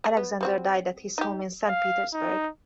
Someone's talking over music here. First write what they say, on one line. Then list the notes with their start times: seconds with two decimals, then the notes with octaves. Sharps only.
Alexander died at his home in Saint Petersburg.
0.04 G#4
0.17 B3
0.41 G3 C4 F#4
1.18 D#4 G4
1.68 F5
2.13 D#4